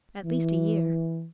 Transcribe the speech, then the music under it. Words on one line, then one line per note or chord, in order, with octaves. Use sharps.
"At least a year."
E3